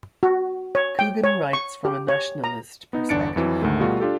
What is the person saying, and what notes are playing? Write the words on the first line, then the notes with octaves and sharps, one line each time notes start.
Coogan writes from a nationalist perspective.
F#4
C#5
G5
C#5
C#6
G4
C#5
A#5
B3 D#4
G1 E2 D4 A6 C#7 D7
F2 E3 F#3
D2 G#2 D#3 A3
B2 G3 A3 F4 F#4
D4 F4 G4 A4